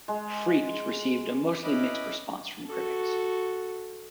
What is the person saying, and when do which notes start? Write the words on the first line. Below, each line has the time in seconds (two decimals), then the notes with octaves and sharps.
"Freaked" received a mostly mixed response from critics.
0.08 G#3
1.64 C#4 E4 B4 D#5 B5 D6
2.66 F#4 A4